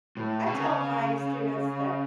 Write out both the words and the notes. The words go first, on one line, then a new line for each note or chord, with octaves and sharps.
I tell my students that
A2
B2
C#3